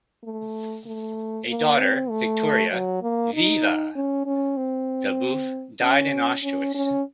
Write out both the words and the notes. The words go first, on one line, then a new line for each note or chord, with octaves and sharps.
A daughter, Vittoria "Viva" Daubeuf, died in Auschwitz.
A3
A3
A#3
C4
A3
F#3
A#3
D#4
C#4
C#4
C4
C#4
C#4
C#4